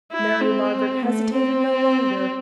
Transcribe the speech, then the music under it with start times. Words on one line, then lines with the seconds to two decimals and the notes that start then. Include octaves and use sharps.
Mary Margaret hesitated no longer.
0.12 E4
0.42 C4
1.04 A3
1.34 C4